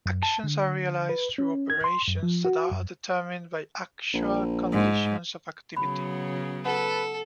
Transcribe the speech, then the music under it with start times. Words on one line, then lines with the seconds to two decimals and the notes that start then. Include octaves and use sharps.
Actions are realised through operations that are determined by the actual conditions of activity.
0.06 F#2
0.23 A5
0.44 D3
1.09 B4
1.38 C#4
1.70 G#6
1.84 C6
2.08 F#2
2.23 F3
2.45 F#4
2.72 F#2
4.14 A#1
4.73 G#2
5.77 C#3 F#3 B3 B5
6.65 A4 B4 F#5